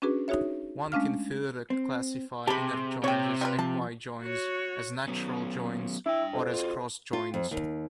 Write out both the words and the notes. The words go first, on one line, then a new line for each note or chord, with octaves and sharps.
One can further classify inner joins as equi-joins, as natural joins, or as cross-joins.
C#4 D4 F#4 G#4 B4
D#4 F#4 G#4 C#5 E5
G#3 A3 C#4 D4 F5 F6
C4
C3 G4 G#4 A5 B5
C3 C#5 G5
G3 F4 B4
F3 A5
F#4 C#5
F#3 B3 C#4
D4 E4 G5
F2
F4 F#4
F4
F2
D#2